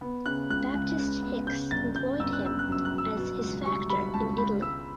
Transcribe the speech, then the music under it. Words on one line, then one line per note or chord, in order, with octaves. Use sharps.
Baptist Hicks employed him as his factor in Italy.
B3
C#3 F#6
C#2 F#6
C#2
C#3
B3
C#3 G6
G1 A6
G1 G6
G1 E6
F#6
G1 E6
F#6
F#2 E6
F#6
B2
E6
B2
C#2
G3 C#6
G3 B5
C#2 A5
C#2 B5
C#2 E6